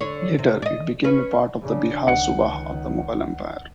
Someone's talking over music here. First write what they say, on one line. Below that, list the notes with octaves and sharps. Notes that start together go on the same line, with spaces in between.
Later, it became a part of the Bihar Subah of the Mughal empire.
D3 C#5
C3
D5 D#5
C#4 B4
C#3 D4
C#2 D#3 F#5 C#7